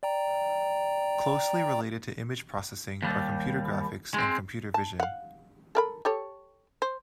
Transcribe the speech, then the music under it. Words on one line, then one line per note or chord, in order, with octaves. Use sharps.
Closely related to image processing are computer graphics and computer vision.
D5 G5 A#5
D#2 G3
G#3 C4
A5
F5 F#5
A4 A#4 B5
G4 A4 C#5
C5